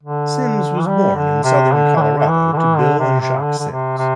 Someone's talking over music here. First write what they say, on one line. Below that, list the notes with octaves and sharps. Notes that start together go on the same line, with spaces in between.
Simms was born in southern Colorado to Bill and Jacque Simms.
D3
E3
G3
D3
C3
D3
E3
D3
D3
E3
D3
E3
D3
C3
C3
D3
D3
C3
C3